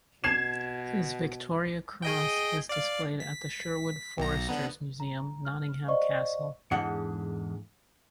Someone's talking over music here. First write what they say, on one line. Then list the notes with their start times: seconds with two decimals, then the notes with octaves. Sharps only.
His Victoria Cross is displayed at the Sherwood Foresters Museum, Nottingham Castle.
0.24 B2 G#6 C7 E7
2.02 G#4 D#5 G5
2.69 D5 F5
3.20 B6
4.18 B1 A#5
4.49 D3 B3
5.00 A#5
5.45 F6
5.88 C5 D5 D#5 F5 C#6
6.71 E2 G#2 D3 F#5